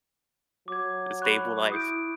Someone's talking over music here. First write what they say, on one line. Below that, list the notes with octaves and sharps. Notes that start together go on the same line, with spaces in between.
the stable life.
F#3 D6 G#6
B5 C#6 F#6
E4 D#6 G6 D7